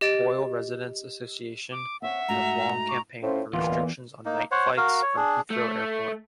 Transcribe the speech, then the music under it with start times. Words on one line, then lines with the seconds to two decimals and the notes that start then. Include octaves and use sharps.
Poyle Residents Association have long campaigned for restrictions on night flights from Heathrow airport.
0.01 G4 D#5 A6 D7 E7
1.72 D6
2.02 C4 C#5 E5 F#5
2.28 G#2 A3 F#4 A#5
2.89 C#6 D6
3.22 A2 C#4 F4 C5
3.53 D1 E2 A#2 E3 B3 F4
4.25 A#3 D#4
4.51 C5 C#5 F#5
4.77 F#4 A#4 F5
5.02 C#5
5.17 D4 G#4
5.50 A3